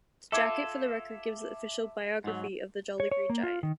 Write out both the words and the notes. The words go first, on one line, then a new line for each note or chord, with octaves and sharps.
The jacket for the record gives the official "biography" of the Jolly Green Giant.
F4 A4 E5 D6 G#6
G#2 F#3
C#5
C#5
A#3
F4
D#3